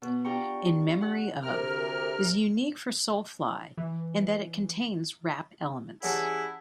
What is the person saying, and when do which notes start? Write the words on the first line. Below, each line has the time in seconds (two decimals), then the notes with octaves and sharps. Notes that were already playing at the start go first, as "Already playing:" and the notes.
"In Memory of..." is unique for Soulfly in that it contains rap elements.
0.02 B2
0.24 D4 F4 G4 G5 A#5 C#6
1.01 F#5
1.42 D2 C3 A#4 F6
3.77 E3
6.03 E3 G3 C#4 E4 G#4 F#5 A5